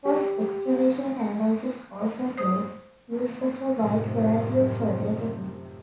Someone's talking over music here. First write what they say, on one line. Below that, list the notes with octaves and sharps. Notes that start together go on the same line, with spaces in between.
Post-excavation analysis also makes use of a wide variety of further techniques.
G4
C5 D#6
F#2 A2 C3 D#3 F3